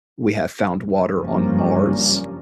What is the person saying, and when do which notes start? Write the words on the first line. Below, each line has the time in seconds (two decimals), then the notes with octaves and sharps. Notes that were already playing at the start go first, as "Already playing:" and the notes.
we have found water on Mars.
1.13 F#1 G2 F3 G3 A#3 C#4